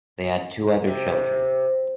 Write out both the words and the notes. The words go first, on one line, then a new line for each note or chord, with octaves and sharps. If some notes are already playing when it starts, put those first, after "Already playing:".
They had two other children.
C3